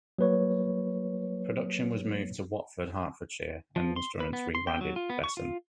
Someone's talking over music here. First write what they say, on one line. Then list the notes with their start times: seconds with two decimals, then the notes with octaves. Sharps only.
Production was moved to Watford, Hertfordshire, and the instruments rebranded Besson.
0.18 F#3 A#3 B4 C#5
3.76 F3
3.96 C6
4.20 B4
4.33 B3
4.55 C6
4.67 G5
4.81 F#3
4.96 F4
5.10 B3
5.24 C#6
5.37 F4